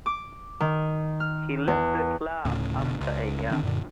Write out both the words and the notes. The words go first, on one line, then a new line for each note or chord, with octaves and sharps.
He left the club after a year.
D6
D#3
F6
E2
D2 A2 C#3
F1 B2 D3
C#2
D3 D#3 C4 D4
F#2 A#2 D3